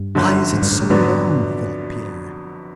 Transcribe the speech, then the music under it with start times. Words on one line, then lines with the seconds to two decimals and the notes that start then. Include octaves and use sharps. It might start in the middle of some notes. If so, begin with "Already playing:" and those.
"Why is it so long?" thought Pierre.
Already playing: G2
0.15 G1 F#2 D3
0.53 G#2
0.62 G2
0.72 G#2
0.81 A2
0.90 F2 G#2 D3 F#3 B3 D4